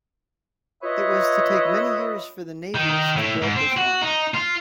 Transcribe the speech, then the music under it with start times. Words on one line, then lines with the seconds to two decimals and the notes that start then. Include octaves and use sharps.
It was to take many years for the navvies to build this line.
0.83 F4 B4 C#5 D#5 E5
2.75 D#3
2.90 D#3
3.16 A2
3.42 G#2
3.56 C4
3.77 F#4
4.02 D#4
4.34 F4